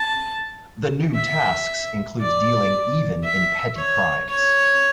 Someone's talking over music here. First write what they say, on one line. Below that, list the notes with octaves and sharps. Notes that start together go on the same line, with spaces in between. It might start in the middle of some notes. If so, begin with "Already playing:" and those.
The new tasks include dealing even in petty crimes.
Already playing: A5
E5
D5
E5
C#5
C#5